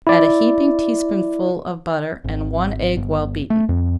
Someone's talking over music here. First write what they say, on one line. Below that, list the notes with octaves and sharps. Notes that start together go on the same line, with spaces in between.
Add a heaping tablespoonful of butter and one egg well-beaten.
E4 D5
G#1
G1
A3
F2